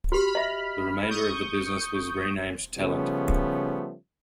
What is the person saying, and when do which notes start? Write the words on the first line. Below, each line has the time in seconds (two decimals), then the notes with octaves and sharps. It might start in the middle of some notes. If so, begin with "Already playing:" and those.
The remainder of the business was renamed Telent.
0.12 F#4 G4 B5 F6
0.35 D#5 E5
1.09 C#6 D#6 G6
2.77 C#3 F3 G3 A3 B3 C#4